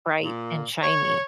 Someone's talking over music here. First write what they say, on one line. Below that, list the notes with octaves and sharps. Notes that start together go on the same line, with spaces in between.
bright and shiny.
A#2
C#5